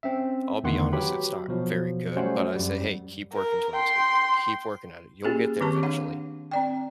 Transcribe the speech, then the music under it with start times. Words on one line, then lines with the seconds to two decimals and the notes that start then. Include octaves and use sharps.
I'll be honest, it's not very good, but I say, "Hey, keep working towards it, keep working at it, you'll get there eventually."
0.03 C4 C#4 E5
0.63 E2 D3 D#3 A3 F#5 C6
0.93 F#3 G4 B4 B5
1.48 B2 F3 F#3
2.16 F#3 G3 A3 C#4 C5 F#5
2.55 F#2 G3
3.34 A#4
3.76 G5 C6
5.24 A#3 C#4 F4 G4 G#4
5.61 D#3 C4 G4 B4 A5 C#6
5.83 D4 C#5 F5 F#5
6.51 C4 D5 G5